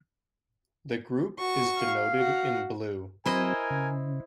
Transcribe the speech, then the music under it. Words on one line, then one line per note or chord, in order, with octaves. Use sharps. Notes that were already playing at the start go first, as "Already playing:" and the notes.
The group is denoted in blue.
F#4 C#6
F5
F#4
F#3 C4 E4 A#4 C5 D#5 G#5
C#3